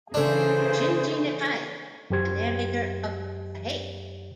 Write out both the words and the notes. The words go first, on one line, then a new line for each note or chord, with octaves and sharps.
Shinji Nakae the narrator of the Hey!
C#3 E3 A3 D4 G#4 C5
F#2 F#3 G4 C5 G#6